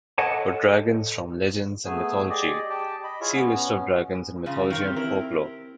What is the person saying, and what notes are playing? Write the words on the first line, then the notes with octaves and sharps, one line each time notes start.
For dragons from legends and mythology, see List of dragons in mythology and folklore.
A4 C#5 D#5 F#5 G#5 A5
A3 B3 G#4 G#5
G4 G#4 D5 D#5
G4 G5 A5
D#5 B5
E4 F4 G#4 C#5 E5
B3 C#4
C#3 F3 C#4 F4
D#3 A#4 C#5
C4 G4
E4 A#4